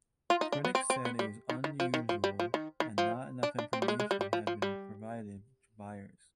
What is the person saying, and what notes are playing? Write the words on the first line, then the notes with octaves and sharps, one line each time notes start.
Critics said this was unusual and not enough information had been provided to buyers.
F4
D#4
D4
B3
C4
C4
B3
G3
D#3
D#3
F3
D#3
F3
G3
F3
D#3
D#3
F3
D4
D4
C4
G3
G#3
G#3
G3
G3
F3
F3
G3